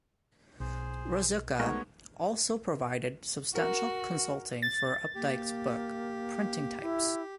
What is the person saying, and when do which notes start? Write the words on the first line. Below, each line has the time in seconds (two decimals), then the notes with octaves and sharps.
Ruzicka also provided substantial consulting for Updike's book "Printing Types".
0.60 B1 G#4 C5
1.60 G#3 A3 B3 D#4 F#4 A#4 C#5
3.55 F#4 A#4
4.62 A6
5.15 A#3 G4
6.82 E4